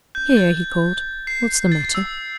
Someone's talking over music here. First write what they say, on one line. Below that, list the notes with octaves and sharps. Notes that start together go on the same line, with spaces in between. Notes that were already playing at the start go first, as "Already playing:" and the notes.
"Here," he called, "what's the matter?"
G6
G6
A6
C7
A6
E6